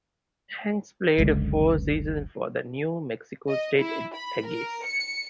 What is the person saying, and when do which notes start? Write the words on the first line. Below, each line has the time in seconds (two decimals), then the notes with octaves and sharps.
Hanks played four seasons for the New Mexico State Aggies.
1.18 F#1 C#2 D3 G#3
3.49 D#5
3.79 E4
4.15 B5
4.46 A#4
4.85 C#7